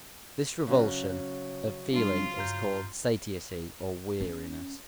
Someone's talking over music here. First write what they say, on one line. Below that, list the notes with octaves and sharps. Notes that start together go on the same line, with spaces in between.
This revulsion of feeling is called satiety or weariness.
C#3 F#3 C#4
G3 D4 F4 F5
G2 A#5 G6
C#4